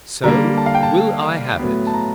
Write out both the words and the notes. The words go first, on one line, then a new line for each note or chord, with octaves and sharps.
So will I have it.
D3 G3 A#3 A#5
A5
F5
G5
A5
A2 F#3 B3
A5
A#5